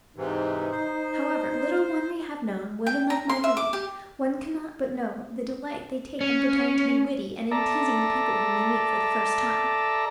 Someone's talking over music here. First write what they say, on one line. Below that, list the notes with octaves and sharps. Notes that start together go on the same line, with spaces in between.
However little one may have known women like Marguerite, one can not but know the delight they take in pretending to be witty and in teasing the people whom they meet for the first time.
G#2 C3 E3 D#4
C5
G5
A#5
C6
E5
D6
G4
C#4
A4 D5 E5 A#5